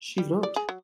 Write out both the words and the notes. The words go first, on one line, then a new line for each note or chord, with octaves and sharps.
She wrote ...
G3
D5
G#4
F#3